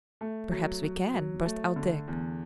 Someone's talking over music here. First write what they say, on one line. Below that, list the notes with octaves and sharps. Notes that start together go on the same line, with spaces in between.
"Perhaps we can!" burst out Dick.
A3
F#3
F#3
F#3
A3
D3
E2